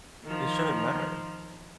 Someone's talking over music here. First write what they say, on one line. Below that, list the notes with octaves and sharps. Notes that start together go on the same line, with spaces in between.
it shouldn't matter.
D#3 F3